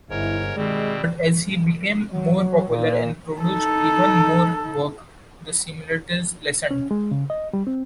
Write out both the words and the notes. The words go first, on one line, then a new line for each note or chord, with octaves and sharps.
But as he became more popular and produced even more work the similarities lessened.
G1 G#2 E4 A#4 C#5
B2 D#3 G3 G#3 C4
F#3
A#2
D#4 A4
C#4
G#3
C#3
D#5
G3
C4